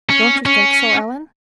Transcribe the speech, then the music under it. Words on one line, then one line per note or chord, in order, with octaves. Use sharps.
"Don't you think so, Ellen?"
C#4
C#4